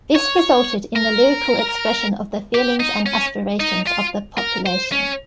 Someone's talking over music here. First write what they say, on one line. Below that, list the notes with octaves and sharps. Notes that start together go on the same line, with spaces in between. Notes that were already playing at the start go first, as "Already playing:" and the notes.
This resulted in the lyrical expression of the feelings and aspirations of the population.
C#5
A#4
G4
D#4
C#4
D#4
F4
A#4
C5
C#4